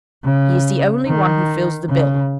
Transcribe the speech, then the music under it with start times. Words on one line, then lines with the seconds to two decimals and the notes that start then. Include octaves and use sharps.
He is the only one who fills the bill.
0.24 C#3
1.07 D#3
1.89 C#3